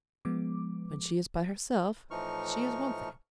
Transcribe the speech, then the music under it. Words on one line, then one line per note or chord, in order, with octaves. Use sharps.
When she is by herself, she is one thing.
F3 G#3 B3 D6
A2 E3 F3 D#4 C#6 F6